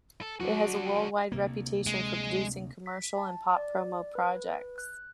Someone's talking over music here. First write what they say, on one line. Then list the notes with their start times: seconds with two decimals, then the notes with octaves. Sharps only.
It has a worldwide reputation for producing commercial and pop-promo projects.
0.21 A4
0.40 F#3 D4 F#4
1.32 D2 C3 A#3
1.87 G#3
2.86 B6
3.18 A5
3.56 D5
4.15 B4
4.78 F#6